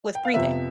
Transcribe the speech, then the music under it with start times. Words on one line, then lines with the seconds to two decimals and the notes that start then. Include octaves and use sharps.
with breathing.
0.15 G5
0.25 F5
0.34 F2 C3 F3 B3 E5